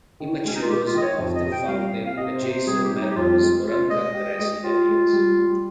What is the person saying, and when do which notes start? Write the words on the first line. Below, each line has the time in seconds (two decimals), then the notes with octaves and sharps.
Immatures are often found in adjacent meadows or uncut grassy areas.
0.20 D#3
0.45 G#3 C#4
0.54 D#4
0.62 F4
0.69 G#3 G4
0.86 F4
0.94 D#3 D#5
1.02 C#5
1.19 F2
1.35 D#5
1.43 C3
1.52 G5
1.68 G3 F5
1.92 C3
2.06 F5
2.17 C3 D#5
2.34 C5
2.42 C3
2.51 C5
2.67 G3 G#4
2.83 G4
2.91 G3
3.00 D#4
3.11 G4
3.16 F2 F4
3.41 G#3
3.65 G#3 F4
3.90 G#3 D#5
4.14 G4
4.39 G#3
4.64 F4 G4
4.89 G#3
5.13 G3
5.39 G3